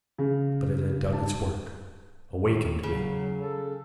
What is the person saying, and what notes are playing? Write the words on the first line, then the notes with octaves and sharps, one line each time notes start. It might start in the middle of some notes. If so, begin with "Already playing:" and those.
But it had done its work--awakened me.
C#3
A5
D#3
C#3 F#3
A4